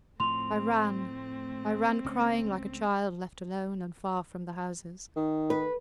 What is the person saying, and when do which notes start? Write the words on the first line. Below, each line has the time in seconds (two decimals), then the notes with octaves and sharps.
I ran--I ran crying like a child left alone and far from the houses.
0.20 A2 F3 A3 C4 C6 F7
2.05 C#2 C#4
5.16 D#3
5.50 B4